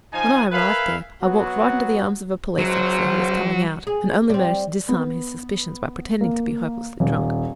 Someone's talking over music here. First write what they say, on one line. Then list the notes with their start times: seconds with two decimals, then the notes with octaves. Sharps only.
When I arrived there, I walked right into the arms of a police-officer who was coming out, and only managed to disarm his suspicions by pretending to be hopelessly drunk.
0.13 F3 D#4 C5 G#5
0.52 A#4 B4 E5 F5 G#5 B5
1.23 F#3 B3 F#4
2.59 G#1 C#2 F#3 C5
3.87 G#4
4.30 G3 C4
4.89 B3
6.21 A#3
7.00 D#1